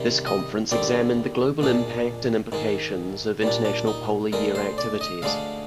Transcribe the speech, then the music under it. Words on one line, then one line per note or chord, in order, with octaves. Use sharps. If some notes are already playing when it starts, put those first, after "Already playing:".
This conference examined the global impact and implications of International Polar Year activities.
Already playing: C3 D#3 G3
D#5
D#2 D3 G3 C4 D5
A#2 G#3 D4
G#2 D#3 G#3
A#2 G3 D4
D4
D#4
D2 D3 G#3 A#4
C5
D5
D#5
D2 D3 G#3 D4 F5